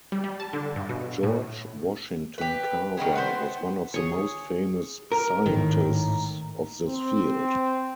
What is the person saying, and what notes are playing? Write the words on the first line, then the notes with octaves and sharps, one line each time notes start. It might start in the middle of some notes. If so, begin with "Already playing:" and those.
George Washington Carver was one of the most famous scientists of this field.
G3
G3
A5
D3
G2
B2
A2
G4 B4
D#3 G3 B3 G#4
B3 C5
G#4 C#5
A#4
G#1 A2 D#3
C4